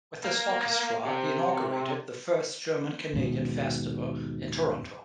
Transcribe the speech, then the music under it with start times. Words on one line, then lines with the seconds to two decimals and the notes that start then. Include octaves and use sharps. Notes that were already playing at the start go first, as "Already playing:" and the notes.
With this orchestra he inaugurated the first German-Canadian Festival in Toronto.
0.24 A#3
1.05 C3
3.14 D#2 G#2 B2